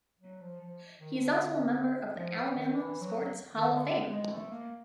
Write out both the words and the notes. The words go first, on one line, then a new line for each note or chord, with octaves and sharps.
He is also a member of the Alabama Sports Hall of Fame.
F#3
F3
F3
D#3
D3
F3
E3
D#3
E3
F#3
D#3
D3
G#3
A3
A#3